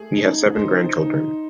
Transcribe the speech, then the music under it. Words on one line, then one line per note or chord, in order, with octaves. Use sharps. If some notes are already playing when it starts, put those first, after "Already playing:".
He has seven grandchildren.
Already playing: A3 G#4
D#4
D#4 C5
D#4